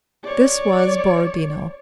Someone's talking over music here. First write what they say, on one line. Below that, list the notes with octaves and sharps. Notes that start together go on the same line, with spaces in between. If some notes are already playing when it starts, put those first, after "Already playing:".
This was Borodino.
C#5 D5